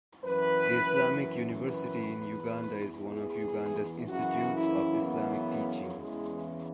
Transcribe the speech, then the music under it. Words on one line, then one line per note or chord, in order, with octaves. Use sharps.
The Islamic University in Uganda is one of Uganda's institutes of Islamic teaching.
F#2 E3 B4
B4
E2 E3
G#4
F#2 C#3 E3 F#4
E4
B3
E2 C#3 E3 G#3